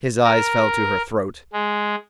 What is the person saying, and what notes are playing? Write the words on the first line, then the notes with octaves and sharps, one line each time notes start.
His eyes fell to her throat.
A#4
G#3